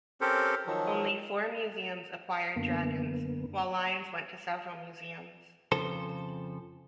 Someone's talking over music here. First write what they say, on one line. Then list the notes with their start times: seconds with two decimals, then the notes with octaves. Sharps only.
Only four museums acquired dragons, while lions went to several museums.
0.21 C4 C#4 G4 A4 A#4 C5
0.66 D#3 F3 F#3
2.56 F#2 D3 A#3 B3
3.72 C#6
5.72 F2 C#3 F3 A4 C5